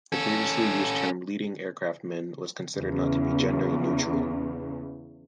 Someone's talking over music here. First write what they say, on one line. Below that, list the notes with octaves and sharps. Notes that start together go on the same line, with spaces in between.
The previously used term "leading aircraftman" was considered not to be gender neutral.
C#4 A4
E2 C#3